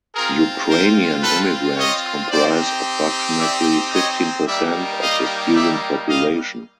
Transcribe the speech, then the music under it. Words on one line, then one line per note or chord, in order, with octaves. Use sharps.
Ukrainian immigrants comprise approximately fifteen percent of the student population.
C4 F4 G#4 A#4
A#4 C5
A4 B4
C#5 D#5
C4 D#4 G4 C5 D5
D5 E5
C#5 D#5
G3 A#3 D#4 G4 D5 E5
D#5 F5
D5 E5
D#5 F5